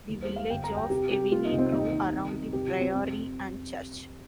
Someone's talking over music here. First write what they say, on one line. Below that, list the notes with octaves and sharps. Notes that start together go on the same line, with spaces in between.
The village of Ewenny grew around the Priory and church.
D#2
C5
G3
F5
G1 G5
A#5
G2
G5
C3 G4
C3 G4
G3 F4
D#4
C2
C4
D#2 D#4
D#3
C3
G3
C2 G4
F4
C2
C4
F2